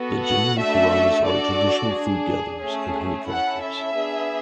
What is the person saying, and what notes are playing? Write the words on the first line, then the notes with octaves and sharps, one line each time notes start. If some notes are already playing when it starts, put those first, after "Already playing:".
The Jenu Kurubas are traditional food gatherers and honey collectors.
Already playing: B3 F#4 A4
F#5
A3 D4 F#4 A4 E5
D4 F#4 A4 D5
D4 G#4
A3 C#4 G#4
C#4 E4 A4 F#5
E5
B3 D4 G#4